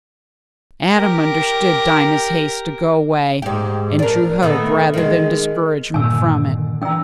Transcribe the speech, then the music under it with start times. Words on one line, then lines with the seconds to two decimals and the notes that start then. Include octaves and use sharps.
ADAM understood Dinah's haste to go away, and drew hope rather than discouragement from it.
0.91 G4 A#4
3.42 G#2 G4
3.99 D4 A#4
4.43 D#3 A3 B3
4.94 D#3 G#3
5.94 G2 A#2 D3 D#3 G#5 E6
6.82 E3 D4 G5 A#5 E6